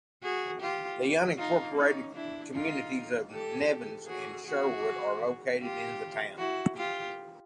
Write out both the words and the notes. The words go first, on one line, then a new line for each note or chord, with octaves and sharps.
The unincorporated communities of Nevins and Sherwood are located in the town.
F#4 G#4
F4 G4
D#4 F4
C#4 D#4
D4 E4
D#4 F4
G4 A4
F#4 G#4
F#4 G#4
F4 G4
E4 F#4
F4 G4